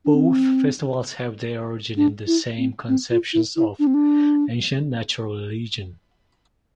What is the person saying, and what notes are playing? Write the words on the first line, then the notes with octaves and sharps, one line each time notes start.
Both festivals have their origin in the same conceptions of ancient natural religion.
D4
C4
D4
E4
C4
C4
F4
E4
E4
D4
C4
D4